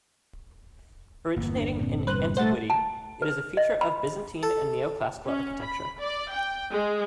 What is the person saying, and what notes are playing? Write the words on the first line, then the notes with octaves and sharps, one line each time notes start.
Originating in antiquity, it is a feature of Byzantine and Neoclassical architecture.
G1 E2 A#3
B3 D4
A#2 A#3 C4
C3 G3 B4 C5 F#6
A3 C5 F#5 A6
A5
B4
D#5
B5
A4
C#4
B5
D5
G5
G#3